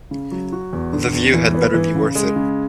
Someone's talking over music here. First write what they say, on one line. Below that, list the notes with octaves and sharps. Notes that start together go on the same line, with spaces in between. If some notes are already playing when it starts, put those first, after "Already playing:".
The view had better be worth it.
C#3
F#3
F#4
E2
D3
E2
E3
B3
E3
C#3
G#3
C#3